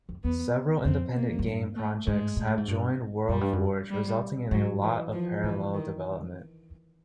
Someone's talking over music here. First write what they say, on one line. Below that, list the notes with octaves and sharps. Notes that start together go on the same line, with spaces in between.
Several independent game projects have joined WorldForge, resulting in a lot of parallel development.
F2
E2 B3
F2 C4
A#3
F#2
G2
A3
G#2 G#3
A#2
A2
G#2
G2
F#2 G3
G2
F#2
G3
G#2 F#3
E3
F3
A2 E3
D#3